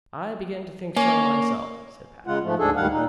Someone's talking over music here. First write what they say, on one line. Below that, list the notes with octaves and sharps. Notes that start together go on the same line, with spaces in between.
"I begin to think so myself," said Patty.
A#3 C#4
C#3 G#3 F4 F#5
G#2 F3 A3
D2 G#2 D4 G#4 A4
D2 G#2 D#3 G3 F5 F#5
A#2 D#4